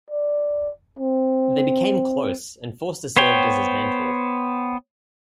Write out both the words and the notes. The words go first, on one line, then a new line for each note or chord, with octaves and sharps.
They became close and Forster served as his mentor.
D5
C4
B3 C5 C#5 G5